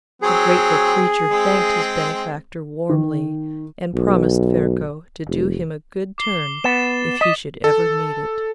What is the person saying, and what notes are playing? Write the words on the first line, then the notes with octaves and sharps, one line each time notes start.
The grateful creature thanked his benefactor warmly, and promised Ferko to do him a good turn if he should ever need it.
F#3 C4 G#4
G#3 C4
D#3
B1
F1
D6 C7 G7
B3 A6 E7
D#5 B6
A4